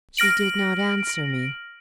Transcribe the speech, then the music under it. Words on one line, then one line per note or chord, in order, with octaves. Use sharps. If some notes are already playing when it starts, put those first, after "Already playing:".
She did not answer me.
F6 A#6 D7 F#7